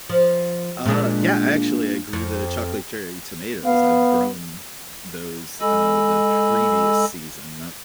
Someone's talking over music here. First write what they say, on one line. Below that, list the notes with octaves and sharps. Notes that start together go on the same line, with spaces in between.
Uh, yeah. Actually, I grew the chocolate cherry tomatoes. I've grown those, uh, the previous season, not
F3
A#2 G#3 D4
F2
B3 F5
G#3 A4 D#5 G#5 B5 E6